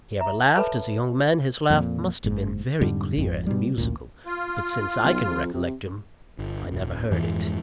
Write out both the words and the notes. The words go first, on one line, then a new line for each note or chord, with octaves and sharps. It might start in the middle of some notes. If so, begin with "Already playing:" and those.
If he ever laughed, as a young man, his laugh must have been very clear and musical; but since I can recollect him, I never heard it.
E5 A#5
A4 B4 C#5 E5 A5 B5
F2 A#2
F#1 G#2
F2 G#2 D3 G3
G#1 F2
B2 G3
A1 D2 A#2
F4
B1
F2
C3
G1
D#1
F2 G#2 E3 G#3